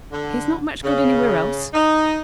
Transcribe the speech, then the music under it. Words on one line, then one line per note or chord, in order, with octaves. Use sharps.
He's not much good anywhere else.
D3
C#3
D#4